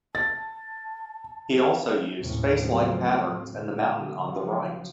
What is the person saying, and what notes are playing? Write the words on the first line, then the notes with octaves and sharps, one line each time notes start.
He also used "face like" patterns in the mountain on the right.
A5 A6
D#2 A2 C3 C#4
A2 C#3 F3 F#3 A3 C4
A#2 D3
C#3 F3 F#3